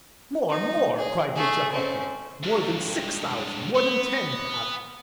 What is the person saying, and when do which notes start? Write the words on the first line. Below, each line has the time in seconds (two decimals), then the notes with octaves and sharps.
More, more," cried Mitya hotly; "more than six thousand, more than ten, perhaps.
0.48 D#4
0.97 G#4
1.35 A3 G#4
1.72 C4 C#4
2.43 G2 G#3
3.75 B3